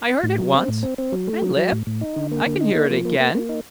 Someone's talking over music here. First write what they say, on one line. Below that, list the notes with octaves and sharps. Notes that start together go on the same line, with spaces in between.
I heard it once and live--I can hear it again.
A2
F#3
C4
A2
C4
C4
F#3
A3
F#3
F#3
A2
A2
D#4
D3
A#3
D3
D#4
A#3
F3
A#3
A#3
A#3
D#4